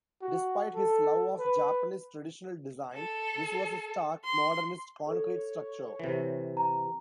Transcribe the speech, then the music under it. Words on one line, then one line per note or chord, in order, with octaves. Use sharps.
Despite his love of Japanese traditional design, this was a stark, modernist concrete structure.
F#4
A4
B4
A4
C6
A4 C#5
C3 E3
A#5